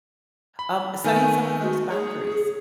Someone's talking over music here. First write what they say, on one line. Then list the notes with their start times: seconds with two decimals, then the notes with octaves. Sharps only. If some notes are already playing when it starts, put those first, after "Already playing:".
Um, setting some of those boundaries
0.59 B5
1.04 D#3 A3 B3 G#5
1.62 F#4
1.90 G#4 C#5